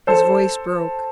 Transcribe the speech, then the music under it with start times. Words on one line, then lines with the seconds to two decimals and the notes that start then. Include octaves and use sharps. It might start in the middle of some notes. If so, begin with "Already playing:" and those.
His voice broke.
0.07 A4 C5